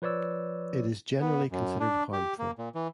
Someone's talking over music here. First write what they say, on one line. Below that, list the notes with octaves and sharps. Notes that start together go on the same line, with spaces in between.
It is generally considered harmful.
F3 B4 C#5 D5 E6
B3
F#2
D4
G4
A#3
A#2
E3